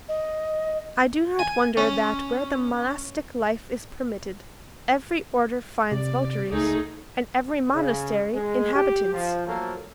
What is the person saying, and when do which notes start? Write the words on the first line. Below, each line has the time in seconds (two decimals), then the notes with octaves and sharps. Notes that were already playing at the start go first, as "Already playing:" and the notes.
I do not wonder that, where the monastick life is permitted, every order finds votaries, and every monastery inhabitants.
0.09 D#5
1.39 G#5
1.77 C#4
5.92 C3 D5
6.52 C#2 A3 D#4 G#4
7.73 C#3
8.34 G#3
8.74 G4
9.13 F3
9.47 F3 F#3 A3 A#3 A4